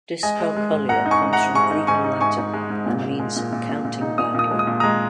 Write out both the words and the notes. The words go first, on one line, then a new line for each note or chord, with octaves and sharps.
Dyscalculia comes from Greek and Latin and means "counting badly".
G#3 D#5 G#5
G#3
G#3
G#2
G#2 F#5 A#5
D#4
G#5 C#6
G#2
F#5 A#5
G#3
G#2 G#5 C#6
D#4
G#2 G#5 C#6
D#4
G#2 G#5 C#6
D#4
G#3
G#2
A#2
A#2
G#3
A#2
A#2
A#2
A#2
D#4
A#2 D#6
A#2 D#6
G#3
D#6
A#2
G#3 A#5 D#6